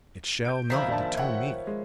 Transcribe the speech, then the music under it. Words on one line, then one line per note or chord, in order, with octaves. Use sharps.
It shall not deter me.
G6 D7
D#3 F3 E4 C5 A#5 B6
A#1 D4 A5
C#5 E5 F#5 G5
G#3